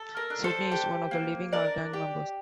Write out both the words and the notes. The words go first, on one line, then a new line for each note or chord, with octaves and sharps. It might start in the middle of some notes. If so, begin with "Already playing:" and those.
Sidney is one of the living "Our Gang" members.
Already playing: A4
A#4
D4
A4 C5
G4
A#3
D4 A#4 D5
G4